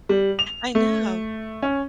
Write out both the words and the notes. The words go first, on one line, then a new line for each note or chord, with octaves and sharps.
I know,
G3
F7
A3
C#4